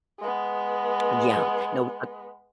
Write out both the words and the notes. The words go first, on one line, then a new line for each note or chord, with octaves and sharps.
Yeah. No, uh
G#3 B3